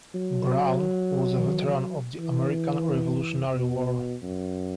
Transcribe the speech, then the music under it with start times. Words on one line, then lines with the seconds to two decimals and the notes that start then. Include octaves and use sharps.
Brown was a veteran of the American Revolutionary War.
0.15 F#3
2.19 E3
3.54 B2
4.23 F#2